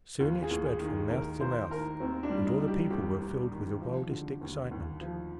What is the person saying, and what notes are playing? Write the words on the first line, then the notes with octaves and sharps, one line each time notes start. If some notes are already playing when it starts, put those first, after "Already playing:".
Soon it spread from mouth to mouth, and all the people were filled with the wildest excitement.
D#2 F4
G#4
D#2
G#4
D#3
G#4
D#2 A#4
D#2 C5
D#3 A#4
D#2 C4
D4
G3
D#4
G3
G4
D#2 G4
D#2
D#3
F3
D3
D#2
D#2
F3